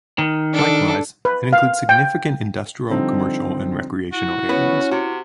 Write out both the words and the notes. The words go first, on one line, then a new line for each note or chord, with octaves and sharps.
Likewise, it includes significant industrial, commercial and recreational areas.
D#3
D4 A4
B4
F5
G5
D3 F3 G3 C4 D#4
E4 F#4
B3 C#4 B4
C3 F#4